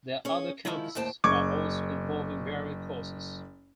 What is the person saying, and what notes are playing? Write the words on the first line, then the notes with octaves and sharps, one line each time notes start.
Their other campuses are also involving varied courses.
C#4 G#4 C#5
C3 D#3 F3 G#3 E4
D#2 A2 C5 G5 A5
F#1 C#6 D6 G#6